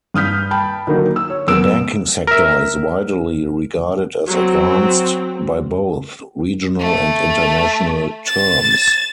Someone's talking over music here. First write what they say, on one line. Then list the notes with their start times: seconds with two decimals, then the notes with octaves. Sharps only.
The banking sector is widely regarded as advanced by both regional and international terms.
0.14 G2 D#6 F6 G6 B6
0.51 G5 A5 B5
0.87 D3 D#3 F#3 A#3 D#4
1.16 E6
1.30 C#5
1.47 F#2 B3 A#4 E6 D7 E7
2.27 A#4 E5
4.27 F#3 C4
6.80 A3
8.26 A6 E7